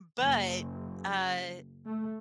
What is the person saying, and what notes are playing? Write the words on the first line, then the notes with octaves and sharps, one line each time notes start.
But, uh,
F#1
A3